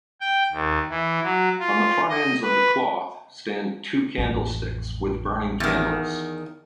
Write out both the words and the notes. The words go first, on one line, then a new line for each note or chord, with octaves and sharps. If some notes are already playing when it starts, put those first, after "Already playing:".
On the front ends of the cloth stand two candlesticks with burning candles.
G5
D#2
E3
F#3
F4
D#5
B4
A1 F2
E2 D#3